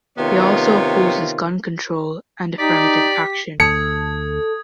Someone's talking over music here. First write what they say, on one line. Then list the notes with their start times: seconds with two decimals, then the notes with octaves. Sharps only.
He also opposes gun control and affirmative action.
0.17 C3 D#3 B3 F4 C#5
2.59 D#4 G4 D5 B6
3.60 D2 A4 D#6 G#6 C#7